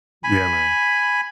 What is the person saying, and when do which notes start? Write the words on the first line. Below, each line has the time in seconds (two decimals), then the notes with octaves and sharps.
Yeah, man.
0.24 G#5 B5